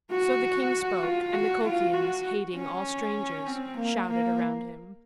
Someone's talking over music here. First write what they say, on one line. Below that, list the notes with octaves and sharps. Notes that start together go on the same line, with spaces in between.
So the king spoke, and the Colchians, hating all strangers, shouted around him.
F#4
F4
F#4
F4
F#4
C#4
C4
A#3
A#3